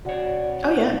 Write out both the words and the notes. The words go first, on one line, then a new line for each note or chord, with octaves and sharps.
Oh, yeah.
C3 F#4 C#5 D5 F#5